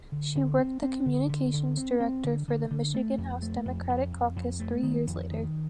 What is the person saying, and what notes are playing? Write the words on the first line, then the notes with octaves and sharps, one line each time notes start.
She worked the Communications director for the Michigan House Democratic Caucus three years later.
D3
D3
C4
C4
D3
D3
D3
C4
C4
D3
D3
D3
A3
F2
A3
F2
F2
F2
F2
A3
D#3
F2
D#3